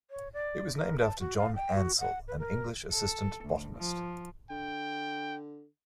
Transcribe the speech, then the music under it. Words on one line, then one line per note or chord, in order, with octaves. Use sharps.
It was named after John Ansell, an English assistant botanist.
C#5
D5
A#4
A5
F#4
F5
G5
F#4
F#5
B4
A#4
A4
D2
F3
D3 G5